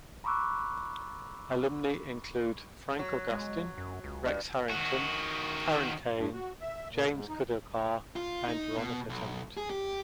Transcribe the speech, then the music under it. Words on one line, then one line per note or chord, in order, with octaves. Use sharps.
Alumni include Frank Augustyn, Rex Harrington, Karen Kain, James Kudelka and Veronica Tennant.
A#5 B5 C#6 D6 E6 F#6
F#3
G#3
F#2
C#2
G2
D#3 F#4
G2
F#4
E5
A#2
G#2
D#4
F4
D#4
B2
B1
G#4
G4